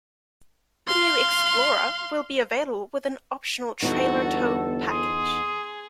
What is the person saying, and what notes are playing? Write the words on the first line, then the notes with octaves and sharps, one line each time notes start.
The new Explorer will be available with an optional trailer tow package.
F5 C6
G1 E2 B3 D#4 F#4 A4
G#4 C6 D#6